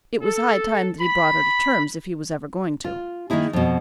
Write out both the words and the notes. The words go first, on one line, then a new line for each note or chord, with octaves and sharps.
It was high time that he brought her to terms if he was ever going to.
A4
B5
F4
D#3 A#3 D#4 E4 G#4
F2 B2